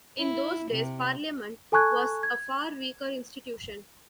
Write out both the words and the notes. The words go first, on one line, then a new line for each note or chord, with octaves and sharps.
In those days, Parliament was a far weaker institution.
E4
C3
A4 G#5 A5 C#6 F#6 G#6
G#6